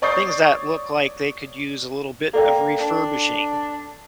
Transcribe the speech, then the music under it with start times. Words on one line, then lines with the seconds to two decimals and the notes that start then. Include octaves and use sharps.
things that look like they could use a little bit of refurbishing.
0.02 C#5 D5 C#6 D#6 G6 C7
2.34 A#3 A4 D5 G5
2.81 D4